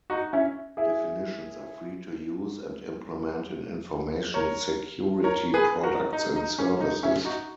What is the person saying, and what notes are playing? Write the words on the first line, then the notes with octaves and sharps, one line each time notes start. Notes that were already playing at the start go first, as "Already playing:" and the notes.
Definitions are free to use and implement in information security products and services.
D#4 F#4
C#4 E4
E4 G#4
A#4 C#5
A#4 C#5
G#4 B4
F#4 A#4
D#4
D#4
C#4
D#4
C#4 E4
D#4 F#4